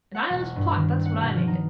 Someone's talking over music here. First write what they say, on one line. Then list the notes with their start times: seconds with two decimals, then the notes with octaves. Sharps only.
A Nihilist plot--that's what I make it.
0.15 F#5
0.30 E1
0.56 G2
0.76 D#3
0.90 C4
1.06 F#5
1.20 B2
1.36 F3
1.47 D#4